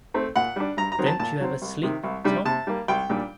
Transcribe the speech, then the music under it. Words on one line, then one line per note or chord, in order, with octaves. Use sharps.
Don't you ever sleep, Tom?
A3 C4
A#2 F#5
G3 D4
G2 A#5
A#5
D#3 F#3 C4
A5
A#2 A5
F#3 C4
C2
C3 D#3
C2
C3 G3 D4
C3 A5
G3 A#3
C2 G5
A#2 G3 D4